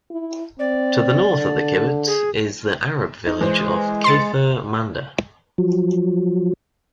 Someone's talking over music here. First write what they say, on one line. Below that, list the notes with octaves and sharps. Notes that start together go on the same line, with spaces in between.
To the north of the kibbutz is the Arab village of Kafr Manda.
E4
C4 D5
D3
G#4
D#4
E3 G#3 C5
C6 A6 C#7
F3 F#3